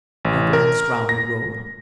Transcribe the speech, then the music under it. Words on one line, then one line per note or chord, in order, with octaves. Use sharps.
I glanced round the room.
A1
A#4
A#6